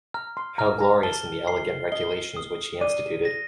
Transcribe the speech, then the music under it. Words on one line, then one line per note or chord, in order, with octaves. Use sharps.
How glorious in the elegant regulations which he instituted!
A#5 F6
C6
A#5 F6
A#5
A5 G7
C7
D#5 G7
D#6
D5 D#7
A#6